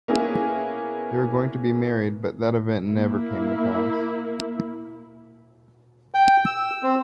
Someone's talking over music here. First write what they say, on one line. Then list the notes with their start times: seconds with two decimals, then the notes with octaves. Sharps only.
They were going to be married, but that event never came to pass.
0.08 A#3 B3 C#4 E4 G#4
2.90 A#3 E4
6.14 G5
6.46 E6
6.83 C4